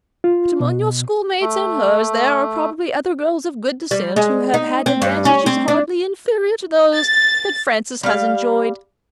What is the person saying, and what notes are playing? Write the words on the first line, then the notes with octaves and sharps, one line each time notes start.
But among your schoolmates and hers there are probably other girls of good descent, who have had advantages hardly inferior to those that Frances has enjoyed.
F4
B2
A3
G3
G#3
D#4
C4
G2
C#4
C4
D4
A6
G3 F5